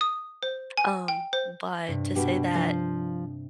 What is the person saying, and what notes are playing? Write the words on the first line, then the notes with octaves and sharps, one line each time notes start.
Um, but to say that
D#6
C5
G#5
G5
C5
G2 C3
B2 B3 G4
F3 C5